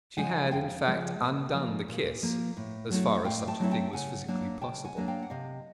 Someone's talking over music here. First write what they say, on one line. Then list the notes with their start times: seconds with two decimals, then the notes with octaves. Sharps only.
She had, in fact, undone the kiss, as far as such a thing was physically possible.
0.17 C#3 F3 G#3 F#5 G#5
0.51 F2 F5 G5
0.86 C#3 F3 G#3
1.20 A#2
1.53 F3 A#3
1.88 A#2
2.23 F3 A#3
2.57 A2
2.90 F#3 A3 C4 E4
3.25 A2 F5 G5
3.47 G5 A5
3.60 F#3 A3 C4 E4
3.71 G5 A5
3.93 C#3 F#5 G#5
4.28 F#3 A#3 D4
4.61 C#3 G5 A5
4.84 F#5 G#5
4.97 F#3 A#3 D4
5.08 F5 G5
5.22 F#5
5.30 C3 D#5 F5